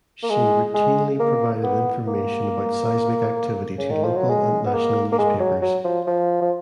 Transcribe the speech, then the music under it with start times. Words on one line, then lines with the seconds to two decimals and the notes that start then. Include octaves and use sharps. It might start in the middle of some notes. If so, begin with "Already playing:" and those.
She routinely provided information about seismic activity to local and national newspapers.
0.23 A#3
0.30 G#3
0.74 G#3
1.20 A#3
1.63 B3
2.07 A#3
3.78 C#3
3.91 D#3
4.04 F3
4.16 F#3
4.29 G#3
4.66 B3
4.74 A#3
5.12 A#3
5.18 G#3
5.40 F#3
5.62 F#3
5.84 F3
6.07 F3
6.41 F3